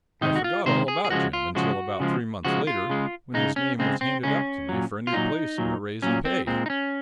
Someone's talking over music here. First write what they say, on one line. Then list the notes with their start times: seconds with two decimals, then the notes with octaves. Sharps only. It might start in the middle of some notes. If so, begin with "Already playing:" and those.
I forgot all about Jim until about three months later, when his name was handed up to me for a new place and a raise in pay.
0.21 C3 D#3 G#3 D#4
0.36 F#4
0.44 F4
0.66 C3 D#3 G#3 C5
0.88 G#4
1.05 G#4
1.10 C#3 F3 G#3 F#4
1.33 F4
1.55 C#3 F3 G#3 F#4
2.00 C#3 F3 G#3
2.45 C#3 F3 G#3 F#4
2.67 F4
2.90 C#3 G#3
3.34 C#3 G#3 D#4
3.56 C#4
3.79 C#3 G#3 C4
4.01 C4
4.23 C#3 G#3 C#4
4.69 A#2 F#3
5.07 F4
5.13 A#2 F#3 D#4
5.58 A#2 F#3
6.02 A#2 F#3 C#4
6.25 C4
6.47 A#2 G#3 C4
6.66 D#4
6.70 C#4